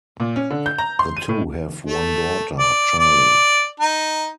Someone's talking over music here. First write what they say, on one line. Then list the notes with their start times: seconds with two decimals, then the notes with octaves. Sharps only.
The two have one daughter, Charli.
0.20 A#2
0.36 C#4
0.50 D3
0.66 G6
0.78 A#5
0.99 C6
1.17 D#7
1.29 A2
1.86 A3
2.58 D5
2.99 D5
3.80 D#4